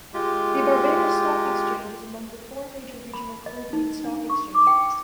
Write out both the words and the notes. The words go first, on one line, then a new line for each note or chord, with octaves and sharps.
The Barbados Stock Exchange is among the four major regional Caribbean stock exchanges.
G#3 F4 G4
B5
D#5
D#4
D4
C#6
D6
G5